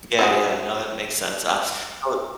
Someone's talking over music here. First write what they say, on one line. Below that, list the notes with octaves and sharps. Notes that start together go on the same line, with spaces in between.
Yeah, yeah, no, that makes sense, uh, so
C4 F#4 G#4